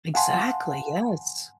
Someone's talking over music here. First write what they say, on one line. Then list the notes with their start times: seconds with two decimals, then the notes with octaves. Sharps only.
Exactly, yes.
0.14 F5 F#5 G#5 A5 C6